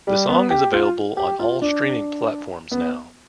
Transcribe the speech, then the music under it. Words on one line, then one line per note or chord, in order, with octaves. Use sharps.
The song is available on all streaming platforms now.
G3
B3
G4
F4
G4
F4
D4
B3